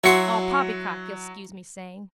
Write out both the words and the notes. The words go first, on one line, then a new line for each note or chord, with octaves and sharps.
All poppycock, you'll scuse me saying.
F#3 E4 F#4 C6 C#7